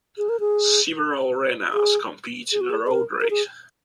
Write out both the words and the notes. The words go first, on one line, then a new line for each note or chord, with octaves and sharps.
Several runners compete in a road race.
G#4
A#4
G#4
G#4
G#4
F#4
G#4
G#4
A#4
A#4
G#4